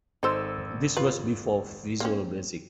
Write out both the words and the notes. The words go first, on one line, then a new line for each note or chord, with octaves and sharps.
This was before Visual Basic.
G#1 D#4 A4 C5 E6
F4 B4
A#3 C4 C#4